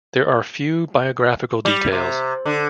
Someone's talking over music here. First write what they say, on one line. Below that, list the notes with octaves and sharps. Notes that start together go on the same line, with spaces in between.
There are few biographical details.
G3
C3
D3